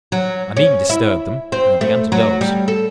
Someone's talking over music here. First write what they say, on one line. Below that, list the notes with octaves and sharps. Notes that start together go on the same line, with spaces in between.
I needn't disturb them; and I began to doze.
F#3
C#4
E4
C4
A3
F#3
G3
A4